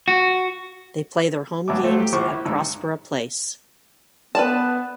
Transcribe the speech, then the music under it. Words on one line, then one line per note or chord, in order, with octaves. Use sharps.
They play their home games at Prospera Place.
F#4
G2 F#3 B3 E5 G#5 D6
F3 F#3 A3 F4 C5
G4
A#1 E3 C5 C#6 D6
E4
C2 G2 D#4 E6
B3 B4 D5 A5